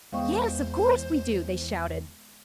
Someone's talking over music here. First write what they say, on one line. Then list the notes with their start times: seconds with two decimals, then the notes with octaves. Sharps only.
"Yes, of course we do," they shouted.
0.12 E2 G#3 B3 C5 D#5 F5 G5 C#6